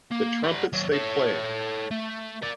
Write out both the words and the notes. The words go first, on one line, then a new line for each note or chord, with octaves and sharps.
The Trumpets They Play!
A#3
G3 F#5
D#2 F#3
A4 C#5
A3
A#4 D5